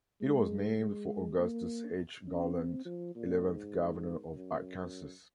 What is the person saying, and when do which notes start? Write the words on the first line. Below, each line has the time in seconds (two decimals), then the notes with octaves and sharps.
It was named for Augustus H. Garland, eleventh governor of Arkansas.
0.21 G#3
0.80 G#3
1.39 A#3
2.28 C#4
2.56 C4
2.85 F3
3.15 A#2
3.44 G#2
4.32 F#2